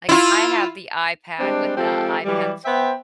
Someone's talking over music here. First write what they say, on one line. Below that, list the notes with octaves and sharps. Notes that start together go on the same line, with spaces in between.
like I have the iPad with the iPencil
E4 F4
G3 G#3 C4 D4
F3 G#3 C4 G4 A4
E3 F#3 G3
B3 C5 E5 G5